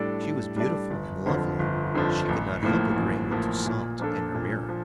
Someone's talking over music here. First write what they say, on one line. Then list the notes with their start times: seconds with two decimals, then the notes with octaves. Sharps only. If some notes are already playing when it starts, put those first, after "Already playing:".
She was beautiful and lovely; she could not help agreeing with Toussaint and her mirror.
Already playing: A2 G3 D4 A4 D5
0.22 A2
0.56 G3 D4 A4 D5
0.90 G1
1.26 F2 D3 F3
1.59 G1
1.94 F2 D3 F3
2.29 A1
2.62 A2 F3 A#3
2.96 A1
3.31 A2 F3 A#3
3.66 A#2
4.00 F3 A#3 D4 A4
4.35 A#2
4.69 F3